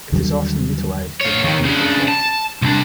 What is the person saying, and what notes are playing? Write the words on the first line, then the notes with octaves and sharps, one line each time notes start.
It is often utilized during a vehicle theft.
D#2 D3 F#3 G3
F4 C#5
D#2 D#3
C#3 D4
A5
C2 D4